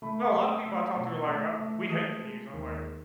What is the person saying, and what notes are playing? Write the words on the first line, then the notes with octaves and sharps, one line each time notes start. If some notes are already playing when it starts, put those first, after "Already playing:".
No, a lotta people I talk to are like, "Uh, we hate the news." I'm like,
A3 B5
C#6
A3
D#6
A3 E6
B2
E6
A3 E6
A3
G#3 D#6
G#3
D#2